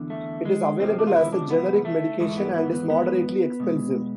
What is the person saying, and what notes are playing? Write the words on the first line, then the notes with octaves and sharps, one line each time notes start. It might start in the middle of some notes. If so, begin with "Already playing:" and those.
It is available as a generic medication and is moderately expensive.
Already playing: E2 D3
A3
G#3
E2 C3 F3 G#3 C4
D4
F4
E4
D4
B3
A3
G#2 E3 G#3 A3
B3
B3
B3
B3
B2 G#3